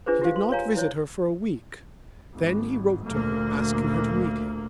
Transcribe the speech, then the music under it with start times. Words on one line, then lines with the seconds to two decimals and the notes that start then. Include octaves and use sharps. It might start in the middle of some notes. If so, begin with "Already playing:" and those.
He did not visit her for a week, then he wrote to her asking her to meet him.
0.06 D4 F4 G#4 B4 C5
0.22 F4 G4 C5 F5
0.36 C6
0.52 C#5 F5 G#5 A#5
0.75 E4 C5 C#5
2.35 G#1
3.07 D2 A#2 A#3